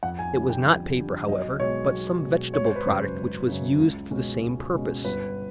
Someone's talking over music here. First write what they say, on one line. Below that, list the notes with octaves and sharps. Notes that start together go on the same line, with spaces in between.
It was not paper, however, but some vegetable product which was used for the same purpose.
F2 F#5
G#5
D3 G3
G5
F2
D3 G3
B1 D#5
B2 G#3 C#5
B1
B2 G#3
G#1 C#5
C5
B4
F#2 C#3 C5
G#1
F#2 C#3
C#2
B2 G#3 C#4
C#2
B2 G#3 C#4
G1 B4